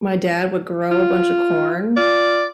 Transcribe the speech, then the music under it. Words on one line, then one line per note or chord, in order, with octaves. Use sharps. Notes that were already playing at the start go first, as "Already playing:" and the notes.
my dad would grow a bunch of corn,
F4
F4 D5